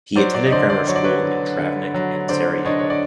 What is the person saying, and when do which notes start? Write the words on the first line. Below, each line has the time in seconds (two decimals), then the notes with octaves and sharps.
He attended grammar school in Travnik and Sarajevo.
0.16 F#3 C5 D5
0.34 C5 D5
0.47 D#5
0.52 D3 C5 D5
0.69 C5 D5
0.87 F#3 C#5
0.96 D5
1.04 B4 C#5
1.23 D3
1.58 D3
1.94 F#3
2.29 D3 C5 D5
2.65 D4 C#5 D#5
2.79 C#5
2.90 D5